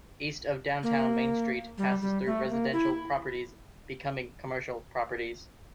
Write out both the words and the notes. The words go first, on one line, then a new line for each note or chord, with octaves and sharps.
East of downtown Main Street passes through residential properties becoming commercial properties.
A#3
G3
G3
A3
A#3
E4